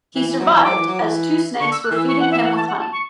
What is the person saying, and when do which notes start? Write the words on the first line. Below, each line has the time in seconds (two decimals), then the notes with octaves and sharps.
He survived, as two snakes were feeding him with honey.
0.16 E3
0.28 E3
0.39 F#3
0.51 E3 E6
0.64 F#3 D6
0.76 E3
0.88 F#3
0.99 E3
1.60 D3 C#6
1.72 E6
1.84 F#6
1.91 E3 E6
2.08 C#6
2.20 F#5
2.32 E5
2.44 F#5
2.56 A5
2.68 F#5
2.80 A5
2.92 C#6